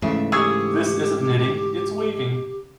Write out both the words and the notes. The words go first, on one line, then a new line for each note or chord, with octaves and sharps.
This isn't knitting, its weaving.
G#2 C#3 E3 A3 E5
G4 G#4 C#6 E6 G#6